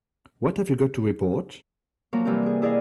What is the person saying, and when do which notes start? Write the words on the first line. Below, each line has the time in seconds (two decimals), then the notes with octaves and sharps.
What have you got to report?
2.13 F3 F#3 A#3 A#4
2.25 C3 E3 G3 C4 A#4
2.42 E4 G#4
2.62 E4 G#4 D5 D#5 F5